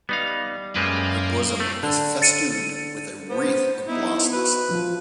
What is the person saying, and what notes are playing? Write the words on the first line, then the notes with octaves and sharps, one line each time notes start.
Her bosom is festooned with a wreath of blossoms.
G3 B3 D#4 F5
F#2 G3 G#3 A#3 B4
C3 A3
D3
A6 C#7 D#7
B3 C5
B3 D#4 E4
F#4 B4
F3